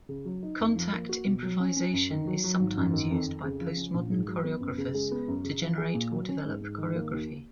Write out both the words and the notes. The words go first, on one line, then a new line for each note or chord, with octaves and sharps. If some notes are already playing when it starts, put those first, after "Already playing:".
Contact improvisation is sometimes used by post-modern choreographers to generate or develop choreography.
C#3
F#3
D#4
F2
F3
A#3
F#4
B2
F#3
C#4
C#4
F#2
D#3
F#3
F#3
G#1
F#2
D#3
F2
F2
C#3
F3
C#4
A#1
G#2
F#3
B3
F#2
C#3
G#3
B3
F#2
C#3
F3
G#4
A#2
F#3
C#4
G#2
G#2
D#3
A#3
D#2